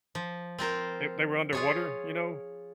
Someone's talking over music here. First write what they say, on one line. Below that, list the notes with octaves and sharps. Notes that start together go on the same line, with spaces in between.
they they were underwater, you know?
F3
C4 F4 A#4 C5
F4 G#4 C#5